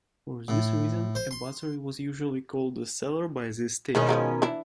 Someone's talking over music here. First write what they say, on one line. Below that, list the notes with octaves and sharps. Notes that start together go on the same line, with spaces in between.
For this reason, a buttery was usually called the cellar by this stage.
A2
C5
C6
B2 D#3 G#3 C#4 E4 G#4
F3 G#3 A#3
E3 D4 E4